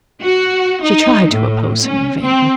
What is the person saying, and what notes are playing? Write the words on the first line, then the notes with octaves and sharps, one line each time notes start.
She tried to oppose him in vain.
F#4
D#4
A2
C#4
C4